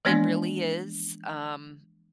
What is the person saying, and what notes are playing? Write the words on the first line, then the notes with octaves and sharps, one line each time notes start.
it really is, um,
E3 F3 G#3 A#3 B3 D4